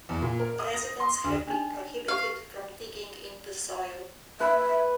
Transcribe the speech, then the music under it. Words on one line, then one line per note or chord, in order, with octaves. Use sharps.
Residents have been prohibited from digging in the soil.
E2
A#2
A#4
D#6
A#6
C6
D2
D4 D#4
G4 B4 F5 C#6
B4 E5